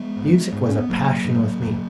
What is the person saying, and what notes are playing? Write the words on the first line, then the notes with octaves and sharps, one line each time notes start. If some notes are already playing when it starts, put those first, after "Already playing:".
Music was a passion with me.
Already playing: G#3 B3
G#1
G#2
C#4
B3
G#1 F#3 A#3
G#2
F#1